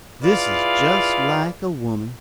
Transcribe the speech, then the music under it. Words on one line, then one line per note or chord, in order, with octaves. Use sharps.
This is just like a woman.
E4 F4 G#4 B4 D5 F5